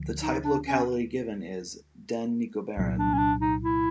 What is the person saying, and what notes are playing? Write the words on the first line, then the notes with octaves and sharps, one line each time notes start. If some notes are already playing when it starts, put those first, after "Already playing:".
The type locality given is "den Nikobaren".
Already playing: D2 D3 F3
D#4
D4
C#4
C2 A#2 F#3
D4
C#4
D4
D#4
E4